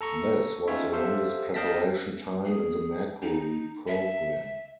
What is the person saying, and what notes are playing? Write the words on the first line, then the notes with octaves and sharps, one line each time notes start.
This was the longest preparation time in the Mercury program.
A4 A#5 C#6
C#4 D#4 F4 C#5 E5
G4 A4 C5 E5 F5
D#5 F5 G5 A5 A#6 B6
G#4
D#4
E5